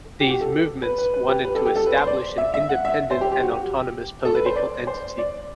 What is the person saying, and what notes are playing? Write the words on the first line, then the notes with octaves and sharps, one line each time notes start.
These movements wanted to establish an independent and autonomous political entity.
G4
F#4
G4
A4
B4
B4
B4
G4
B4
A4
G4
A4
B4
C5
D5
E5
E5
F#5
E5
C5
G4
G4
F#4
G4
A4
B4
C5
D5
C5
D5